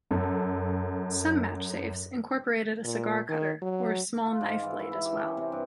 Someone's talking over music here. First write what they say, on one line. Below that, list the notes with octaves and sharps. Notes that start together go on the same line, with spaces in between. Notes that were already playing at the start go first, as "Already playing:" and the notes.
Some match safes incorporated a cigar cutter or a small knife blade as well.
F#2 A4
A#2
D#3
F#3
F4
G#2
E3
E4
E4
G4
C#4
C3
G2